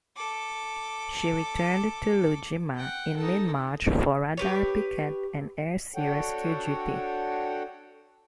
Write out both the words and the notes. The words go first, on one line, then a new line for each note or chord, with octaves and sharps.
She returned to Iwo Jima in mid-March for radar picket and air-sea rescue duty.
A4 D6
F#5 G5
D#4 A4
G4 B4 C#5
D4 F#4 A4 C#5 F#5 G5